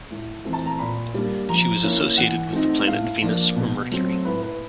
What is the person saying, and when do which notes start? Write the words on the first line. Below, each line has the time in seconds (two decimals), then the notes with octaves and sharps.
She was associated with the planet Venus or Mercury.
0.11 A2
0.45 E3 A3 C4
0.53 A5
0.66 A#5
0.79 A#2 B5
1.14 G3 A#3 D4
1.49 F3 A#5
1.83 A#3 C#4 E4
2.17 E3 F#5
2.53 A3 C4 D#4
2.87 A2 F5
3.22 F3 A#3 D4
3.56 B2
3.91 F#3 A3 C4
4.25 A2 B4
4.42 B4